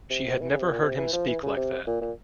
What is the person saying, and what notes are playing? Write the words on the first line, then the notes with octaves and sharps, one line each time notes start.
She had never heard him speak like that.
C3
E3
C#3
C3
A#2
C3
E3
F3
E3
C#3
C3
A#2
A#2